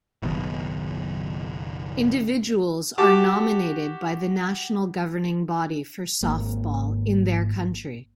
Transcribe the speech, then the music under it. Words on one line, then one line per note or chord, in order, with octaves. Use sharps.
Individuals are nominated by the national governing body for softball in their country.
F#1 B1 B2 D#3
F#4 G4 A5 D6
G#1 A#3